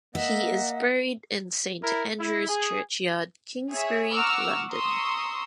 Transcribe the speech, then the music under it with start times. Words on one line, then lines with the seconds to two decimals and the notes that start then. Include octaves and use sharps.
He is buried in Saint Andrew's Churchyard, Kingsbury, London.
0.15 A#3 D#5 E5 F#5
1.81 E4 A#4
2.19 E4
2.49 G#4
3.70 G#4 C#5 E5
4.12 F#5 A#5 C#6 D6 E6 F6
4.70 A#5 C6 C#6 D#6 E6